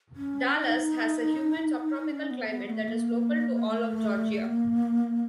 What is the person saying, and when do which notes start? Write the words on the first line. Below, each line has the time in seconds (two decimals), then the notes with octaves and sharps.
Dallas has a humid subtropical climate that is local to all of Georgia.
0.16 C#4
0.55 D#4
2.10 C#4
2.31 B3
2.50 B3
2.70 A3
2.88 A#3
3.66 A3
4.45 A#3